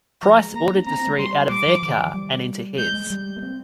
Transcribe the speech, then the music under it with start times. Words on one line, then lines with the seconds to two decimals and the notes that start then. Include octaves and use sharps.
Price ordered the three out of their car and into his.
0.23 F3 A#5
0.39 G#3
0.54 A#3 A#5
0.65 A#3
0.75 D4
0.87 C4 A#5
0.97 C4
1.07 G#3
1.18 G3 C6
1.50 G3 D6
1.66 F3
1.82 D#3
1.98 F3
2.14 G3
2.78 G#3 G6
2.94 G#3
3.10 G3
3.37 A#3
3.42 C4